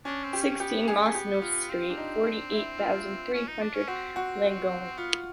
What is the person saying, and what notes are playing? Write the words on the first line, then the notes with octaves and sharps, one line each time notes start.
Sixteen, Mas Neuf Street, forty-eight thousand three hundred Langogne.
C#4 D4
C4
G4
C#4
B3 G4
G#4
G#4
G4
F4
C4 F4
D4
D#4
D4
E4
F4
C#4
D#4
D4
C#4
C4 F#4
F#4
B3 F4